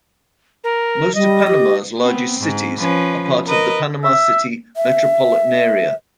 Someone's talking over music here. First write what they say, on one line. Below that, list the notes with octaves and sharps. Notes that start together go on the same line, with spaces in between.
Most of Panama's largest cities are part of the Panama City Metropolitan Area.
A#4
G3 D#5
G4
B3 C4
G#2
F3 C#4 B4
A#4 B4 D#5
E5
E5